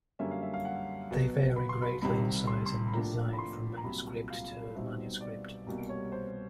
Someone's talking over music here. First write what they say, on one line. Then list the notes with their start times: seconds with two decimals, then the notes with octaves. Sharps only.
They vary greatly in size and design from manuscript to manuscript.
0.19 F#2 D3 G3 A#3 C#4 E5
0.31 F5
0.42 E5
0.54 F5
0.65 F#5
1.11 B2 F#3 B3
1.56 B5
1.69 C6
1.82 B5
2.02 C2 C3 D#3 G3 B5
2.47 C6
2.66 C6
2.88 B5
2.93 A2 F3 A#3 D4 A#5
3.33 B5
3.38 C6
3.77 A#5
3.84 C2 A#2 F#3 B5
4.30 F5
4.75 B2 G3 C4 D#4 E5
5.21 D5
5.67 C2 B2 G3 A#3
5.89 C#5
6.12 C5